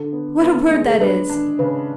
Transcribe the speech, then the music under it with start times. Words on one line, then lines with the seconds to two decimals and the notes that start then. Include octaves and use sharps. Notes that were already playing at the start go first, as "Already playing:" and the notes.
What a word that is!
Already playing: D3 A4
0.13 B3
0.42 B3
0.71 G#3
0.85 G#4
0.93 A4
1.00 D4 B4
1.30 D4
1.59 C#3 B4